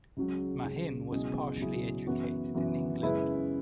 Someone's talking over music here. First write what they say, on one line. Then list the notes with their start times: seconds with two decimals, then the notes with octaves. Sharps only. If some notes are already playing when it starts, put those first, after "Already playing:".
Mahin was partially educated in England.
0.17 C#2 C#3 F#3
0.64 C#2 C#3 F#3
1.12 C#2 B2 F#3 E4 G#4
1.60 C#2 B2 F#3 E4 G#4
2.07 F#2 E3 B3 F#4
2.55 F#2 E3 B3 F#4
3.02 F#2 C#3 G#3 E4 B4